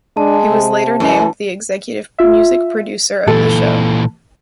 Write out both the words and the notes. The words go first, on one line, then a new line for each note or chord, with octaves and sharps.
He was later named the executive music producer of the show.
G#3 D4 A5
C3
F#2 E3
F4 E5
A#2 E3 A4